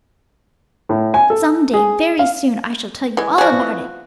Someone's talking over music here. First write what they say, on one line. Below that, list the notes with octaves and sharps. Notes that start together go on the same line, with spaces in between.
Some day, very soon, I shall tell you all about it.
A2
G#5
A4
G#4
F5
E3 G#3
F3 F#4 G#4 D5
B3 C4 E4